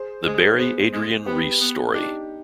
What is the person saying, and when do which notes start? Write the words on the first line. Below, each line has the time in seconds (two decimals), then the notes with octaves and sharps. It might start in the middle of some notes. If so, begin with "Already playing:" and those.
The Barry Adrian Reese Story.
Already playing: G#4 C5
0.26 G#3 G#4 C5
0.42 G#4 C5
0.59 B3 G#4 C5
0.93 G#3
1.26 B3 G4 B4
1.60 B3
1.93 D4 D#4 G4